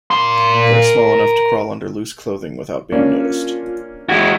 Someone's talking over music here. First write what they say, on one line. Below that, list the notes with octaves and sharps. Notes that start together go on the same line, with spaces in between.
They are small enough to crawl under loose clothing without being noticed.
A#4 C6
A#3 C#4 D4 F4
G#3 E4 F#4